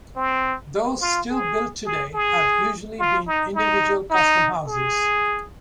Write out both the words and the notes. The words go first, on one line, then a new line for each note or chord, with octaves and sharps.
Those still built today have usually been individual custom houses.
C4
F4
G#4
G#4
G#4
F4
D#4
D#4
D#4
G#4